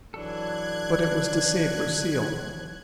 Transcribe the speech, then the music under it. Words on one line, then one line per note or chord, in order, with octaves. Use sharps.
But it was to save Lucille.
E3 F#3 D4 A4 F#6 G#6